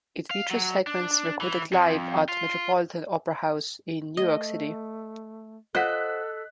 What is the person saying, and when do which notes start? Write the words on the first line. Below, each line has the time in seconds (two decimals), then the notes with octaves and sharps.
It features segments recorded live at Metropolitan Opera House in New York City.
0.31 F5
0.51 F#3
0.87 D4
1.41 E3
1.73 F2
2.29 F4
4.17 A3 D#5
5.75 F4 A4 C5 D#5 F#5 F#6 B6